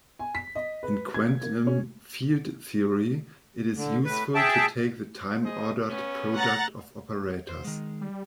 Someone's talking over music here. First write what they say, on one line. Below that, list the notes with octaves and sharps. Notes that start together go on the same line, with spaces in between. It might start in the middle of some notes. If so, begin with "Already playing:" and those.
In quantum field theory it is useful to take the time-ordered product of operators.
G#5
B6
D#5
B4
G#6
A#3
C#4
D3
A2 B4
G#4 E5 G5 A5
G#4 C5 D#5
B3 C#4
F#5 A#5 A6
C5
D#3 G#3
G3